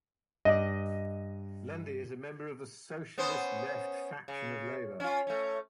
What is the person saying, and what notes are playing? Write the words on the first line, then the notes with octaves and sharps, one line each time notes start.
Lundy is a member of the Socialist Left faction of Labor.
G2 D5 D#5
B3 C#4 C5
C#3
C#4 F4
A3 C#4